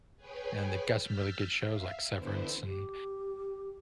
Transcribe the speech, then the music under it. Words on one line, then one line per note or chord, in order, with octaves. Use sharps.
and they've got some really good shows like Severance, and,
G#4 B4 C#5 G5 G#5
E6 F6 G6 A6 B6
E5 F5
D3 E3 B3 D4 E4 C5
G4